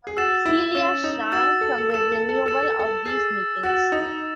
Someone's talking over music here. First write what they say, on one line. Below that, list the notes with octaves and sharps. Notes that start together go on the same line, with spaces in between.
Celia shrank from the renewal of these meetings.
G#4
F#4 E6 A6 E7
E4
C#4 E6 A6 E7
D#4
F#4 E6 A6 E7
A4
A4
A4 E6 A6 E7
A4
A4
A4 E6 A6 E7
A4
A4
G#4 E6 A6 E7
F#4 E6 A6 E7
D#4